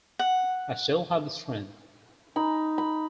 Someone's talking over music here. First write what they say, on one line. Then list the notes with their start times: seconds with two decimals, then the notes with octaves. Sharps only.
I still had the strength.
0.19 F#5
2.36 D#4 B5
2.78 B5